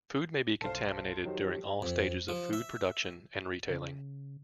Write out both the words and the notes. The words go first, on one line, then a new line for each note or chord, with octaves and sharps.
Food may be contaminated during all stages of food production and retailing.
B1 A4 C5 F5
D#3 F#3 G4
F2
F3
E5
C#3